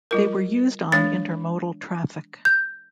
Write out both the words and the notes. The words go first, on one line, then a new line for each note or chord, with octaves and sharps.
They were used on intermodal traffic.
G3 F4 A#4
E3 G#3 D4 A6
G6